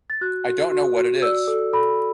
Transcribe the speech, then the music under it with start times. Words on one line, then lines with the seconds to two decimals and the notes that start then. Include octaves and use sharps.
I don’t know what it is.
0.10 A6
0.21 F#4 F#6
0.47 F#4
0.72 F#4
0.97 F#4
1.22 D5 E6
1.48 A4
1.73 A4 B5